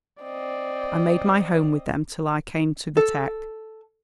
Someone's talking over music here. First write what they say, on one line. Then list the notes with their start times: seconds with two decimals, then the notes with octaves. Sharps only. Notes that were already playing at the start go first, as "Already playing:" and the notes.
I made my home with them till I came to the Tech.
0.23 C4 D5 D#5
2.97 A4